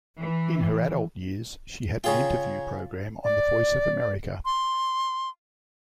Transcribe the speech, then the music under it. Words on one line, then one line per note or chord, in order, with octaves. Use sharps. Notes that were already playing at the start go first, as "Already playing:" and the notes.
In her adult years, she had an interview program on the Voice of America.
E3
C#3 F4 G#4 C#5 G5
D5
C6